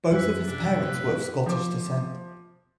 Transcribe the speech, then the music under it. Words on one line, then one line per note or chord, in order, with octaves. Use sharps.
Both of his parents were of Scottish descent.
F#2 E4 B4 E6 F#6 B6
C3 D4 G4
A2 F3 F4 B4
F3 D6